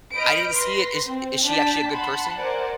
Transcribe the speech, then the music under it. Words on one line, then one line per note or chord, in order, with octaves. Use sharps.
I didn't see it. Is is she actually a good person?
D#5 B5 F6 G6 D7
B4 C6 A#6 B6
C4
D4 D5 G5 A5 B6
F#5 A5 B5 C6
A#4 C5 D5 F#5 G#5